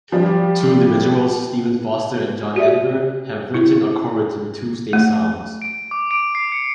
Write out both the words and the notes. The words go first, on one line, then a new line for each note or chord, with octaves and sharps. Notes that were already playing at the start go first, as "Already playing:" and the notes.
Two individuals, Stephen Foster, and John Denver, have written or co-written two state songs.
F3 G3 G4
F#4 G4 D5 E5
E4
A3
D7
D6
D7
C7
C#7